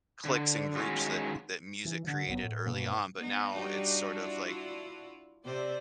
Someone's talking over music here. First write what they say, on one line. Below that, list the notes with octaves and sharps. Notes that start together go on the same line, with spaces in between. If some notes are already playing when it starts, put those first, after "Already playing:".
cliques and groups that that music created early on. But now it's sort of like,
D3
D#3 G#3 C#4 F4 F#4
E3
D3 F3
G1 F#2 D3 B3
A2
G2 B2 A#3
B3 D#4
G3 D4 D#4 F#4 G4
E4 F4
C3 G4 C5 D5 E5